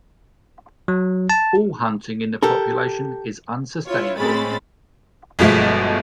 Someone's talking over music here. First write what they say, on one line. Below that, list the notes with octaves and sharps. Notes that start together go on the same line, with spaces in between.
All hunting in the population is unsustainable.
F#3
A5
G4 A4 A#4
E4 F4 C#5
A2 G#3 C4 C#4 B5 A6
G1 B2 F3 G#3 A3 B6